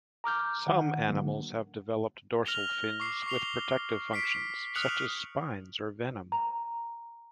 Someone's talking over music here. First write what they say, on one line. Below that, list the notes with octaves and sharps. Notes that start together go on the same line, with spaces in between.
Some animals have developed dorsal fins with protective functions, such as spines or venom.
A#5 D6 F6 G6
D#3 F#5
D3 F#3 A#3
F6 A#6 F7 G7
C#6 D6 C7
C#6 C7 F7 G7
B6 C7 D7
D#6 F6 F#6 C#7 F7 F#7
A#5